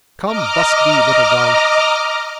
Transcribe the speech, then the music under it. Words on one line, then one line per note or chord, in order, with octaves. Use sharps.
Come, busk thee, Little John!
D#5 A#5 D6 F6